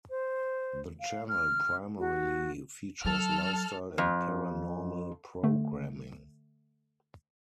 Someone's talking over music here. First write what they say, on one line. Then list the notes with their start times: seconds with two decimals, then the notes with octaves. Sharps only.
The channel primarily features lifestyle and paranormal programming.
0.10 C5
1.00 F5
1.29 F6
1.99 F#4
3.05 F#3 A4 F6
3.98 F2
5.43 D3 A3